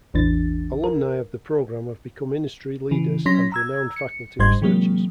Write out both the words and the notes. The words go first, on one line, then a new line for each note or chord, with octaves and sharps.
Alumni of the program have become industry leaders and renowned faculty researchers.
A1 E2 E3 D4 A6
A#4
C#3 E3
F#3 C#4 C6 A#6 B6
A#5 E6 G#6
C#7
G1 G#2 G3 C5 C6 G#6
C3 E3 F#3 G#3 A#3